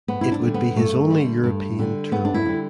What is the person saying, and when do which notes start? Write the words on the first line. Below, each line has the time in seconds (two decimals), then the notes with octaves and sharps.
It would be his only European Tour win.
0.08 G2 B3
0.21 E4
0.32 D4
0.42 D3 G3
0.54 B3
0.76 G2 A3
1.10 D3 G3
1.44 G2
1.79 D3 G3
2.11 G2 B3
2.25 D4
2.34 E4
2.45 D3 G3